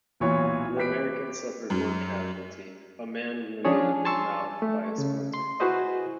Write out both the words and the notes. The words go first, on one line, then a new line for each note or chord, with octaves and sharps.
The Americans suffered one casualty, a man wounded in the mouth by a splinter.
B1 A#2 E3 F4 C#5 C#6
G4 B4 B6 D7
F#2
F3 C#4 D4 G#4 C#5
G#5 A5 C6 C#6 E6 A6
A3
C#3
C6
E4 F#4 G#4 B4 C5 D#5